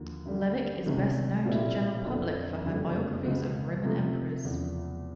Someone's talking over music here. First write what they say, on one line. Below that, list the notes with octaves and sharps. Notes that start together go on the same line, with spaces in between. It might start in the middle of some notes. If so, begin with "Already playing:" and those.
Levick is best known to the general public for her biographies of Roman emperors.
Already playing: D#2 D3 F3 A#3
G2 D3 G3
C2 C3 D#3 G#3 C#4
B1 A#2 G3 C4 E4
F2 D3 F#3 A#3 D4
F#1 F2 D3 G3 B3
C#2 B2 G#3
C3 F3 A3
E2 C#3 F3